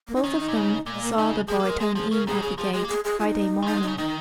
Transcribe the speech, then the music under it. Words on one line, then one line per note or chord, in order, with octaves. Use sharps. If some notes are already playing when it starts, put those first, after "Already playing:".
Both of them saw the boy turn in at the gate Friday morning.
A#3
D#4
D#3 C#4
D#4
A#2
C#3
A#2 A#3
G#3
A#3
C#3 D#4
F3 G#4
A#3
G#3 A#4
G#3 G#4
F3 G#4
C#3 A#4
A#2 G#4
D#3
C#3 G#4
F3 G#4
G#3 G#4
A#3
G#4
G#4
F4
D#4
D#3
F3 D#4
G#3
C#3 D#4
D#3 D#4